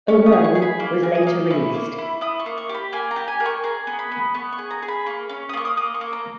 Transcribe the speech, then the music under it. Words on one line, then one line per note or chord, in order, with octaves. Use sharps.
Owoh was later released.
C#4 C#6
D#6
G#4
C#6
G#4
B5
A#3
G#4
D#6
A#3
E4 C#6
A#3
E4
E4 D#6
C#6
A#3
C#6
G4
B5
A#3 G#5
A#5
G4
G#5
A#3
C#6
G#4 A#5
B3
B5
B3
B3 C#6
C#6
G#4
A#5
G#4
B5
A#3 C#6
C#4
D#6
A#3 C#6
D#6
A#3 D#6
C#6
A#3
A#5